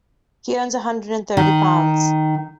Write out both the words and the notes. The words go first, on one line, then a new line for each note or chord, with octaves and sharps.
He earns a hundred and thirty pounds.
D#3